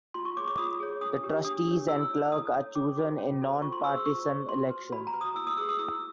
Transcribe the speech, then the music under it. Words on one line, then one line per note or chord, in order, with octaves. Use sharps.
The trustees and clerk are chosen in non-partisan elections.
F4 C6
C#6
G#4 C#5 D6
D6
F4 D#6
G#4 C#5
D4 D#6
G4 A#4 C#5
D4 D#6
G4 A#4 C#5
E4 E6
A4 C#5
E4 D#6
A4 C#5
C#4 D6
F#4 A4 C5
C#4
F#4 A4 C5
F4 C#6
C6
G#4 C5 E6
F4 C#6
G#4 C5
F#4 C6
B4
F#4 B5
A#5
B4
D#6
E4 E6
D#6
G#4 B4 E6
D#6
E4 E6